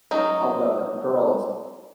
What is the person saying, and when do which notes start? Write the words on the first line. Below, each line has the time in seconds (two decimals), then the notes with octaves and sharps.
of the girls.
0.11 F#3 C#4 D#4